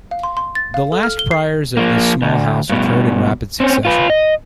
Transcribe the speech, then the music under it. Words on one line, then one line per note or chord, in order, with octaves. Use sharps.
The last priors of this small house occurred in rapid succession.
F5
C6
C6
A6
F5
A4
F6
G7
C7
F3 A#3
D2
G2 B2
C4 C#4
F4 B4
D#5